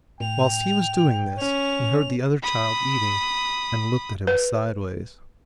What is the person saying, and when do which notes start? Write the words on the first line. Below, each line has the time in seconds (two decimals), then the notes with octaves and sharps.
Whilst he was doing this he heard the other child eating, and looked at him sideways.
0.20 A2 G5 F7
1.38 C#4 F7
2.42 B5 D#6
4.27 B4